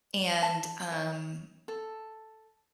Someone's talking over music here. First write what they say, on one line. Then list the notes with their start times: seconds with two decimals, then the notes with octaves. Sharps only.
and, um,
0.42 A5
0.92 C#5
1.68 A4